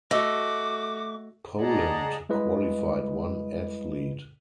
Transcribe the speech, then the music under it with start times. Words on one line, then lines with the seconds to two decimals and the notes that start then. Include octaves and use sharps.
Poland qualified one athlete.
0.11 A3 F#4 D#5 D6 E6
1.60 G#4 D5 D#5 F#5 A5 A#5
2.29 G3 G#3 E4 B4 D#5